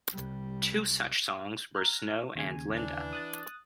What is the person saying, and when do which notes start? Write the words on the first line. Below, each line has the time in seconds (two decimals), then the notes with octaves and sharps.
Two such songs were "Snow" and "Linda".
0.12 C2 G3
1.75 A#5 F6 F#6
2.36 D#2 C#3 G#5
2.75 E3 D4
3.13 D#6 F#6 A6